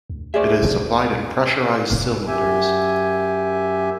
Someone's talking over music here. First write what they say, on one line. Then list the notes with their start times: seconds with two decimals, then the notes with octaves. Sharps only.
It is supplied in pressurized cylinders.
0.10 D2
0.34 A3 G#4 C5 D5 E5
2.27 F#2 G4 E5 G#5